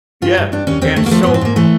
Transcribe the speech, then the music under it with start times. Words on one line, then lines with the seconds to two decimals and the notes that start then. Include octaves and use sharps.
Yeah, and so,
0.22 G2 F4
0.37 G2
0.52 G2 D4
0.67 D#2 C#4
0.81 D#2 C4
0.96 D#2 A3
1.06 A#3
1.11 F3 A3
1.23 B3
1.26 G#2
1.34 C4
1.41 G#2 A#3
1.56 E3 A3